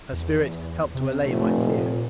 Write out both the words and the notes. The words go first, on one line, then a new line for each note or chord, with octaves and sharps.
Her spirit helped to allay my fear.
E2
C3
F1 A3
A#2